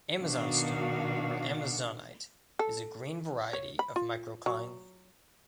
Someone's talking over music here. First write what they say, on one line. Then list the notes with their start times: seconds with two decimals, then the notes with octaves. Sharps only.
Amazon stone, or amazonite, is a green variety of microcline.
0.19 B2 D#3 D4 F#4 F5
2.59 A4
3.53 C#5
3.79 B5
3.96 F4
4.46 F#3